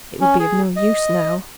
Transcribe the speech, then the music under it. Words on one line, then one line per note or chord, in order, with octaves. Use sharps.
It would be of no use now.
C#4
G#4
D#5